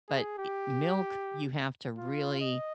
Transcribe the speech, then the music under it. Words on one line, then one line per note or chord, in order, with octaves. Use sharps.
But, eh milk, you have to really
G#4
G4
F4
D#5